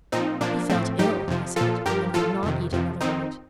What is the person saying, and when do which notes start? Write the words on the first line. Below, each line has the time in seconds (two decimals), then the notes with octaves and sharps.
He felt ill, he said, and could not eat another bite.
0.12 A#2 F3 C4 D#4
0.41 A#2 F3 A#3 D4
0.70 A2 F3 A3 C4
0.98 G2 F3 D#4 G4
1.28 F2 C3 F3
1.56 A#2 F3 F4 A4
1.86 G2 F3 G4 A#4
2.14 A2 F3 F4 A4
2.43 F2 C3 D#3
2.72 F2 C3 F3
3.01 F2 D#3 C4 D#4